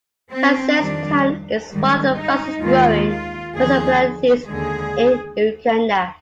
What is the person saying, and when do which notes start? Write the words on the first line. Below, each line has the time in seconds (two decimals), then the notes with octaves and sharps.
Kasese town is one of the fastest growing municipalities in Uganda.
0.31 C4
0.77 F2 D#3 G3 D4
1.69 G#2 D#3 G3
2.16 D#4
2.62 D#2 D#3 G#3 F4
3.08 F4
3.55 D#2 D3 F3 G#4
4.47 D#2 D3 G#3 G#4